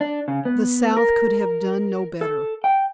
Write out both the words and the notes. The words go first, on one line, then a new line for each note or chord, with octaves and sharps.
The South could have done no better.
D4
C#3
B3
A#4
A4
G5